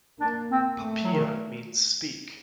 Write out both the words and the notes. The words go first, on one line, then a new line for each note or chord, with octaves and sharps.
Papia means speak.
A#3 D4
C4
A3
F#3
D#3